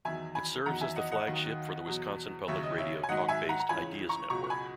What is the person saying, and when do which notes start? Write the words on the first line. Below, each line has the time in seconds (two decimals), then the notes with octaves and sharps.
It serves as the flagship for the Wisconsin Public Radio talk-based "Ideas Network".
0.05 E2 D#3 F#3 E5 G#5
0.35 G#5 B5
0.66 E2 D#3 F#3 F#5 A#5
0.81 E5 G#5
0.96 D#5 F#5
1.11 D#5 F#5
1.27 D#2 D#3 F#3
1.87 E2 B2 F#3
2.48 D#2 C#3 F#3 C#5 E5
2.63 D#5
2.78 C#5 E5
3.03 G#5
3.09 G#2 D#3 F#3 D#5 F#5
3.28 E5 G#5
3.49 F#5 A#5
3.60 A#5
3.69 C#2 C#3 E3 G#5 B5
4.09 A#5 C#6
4.30 C#2 B2 F#3 A#5 C#6
4.44 C#6
4.50 G#5 B5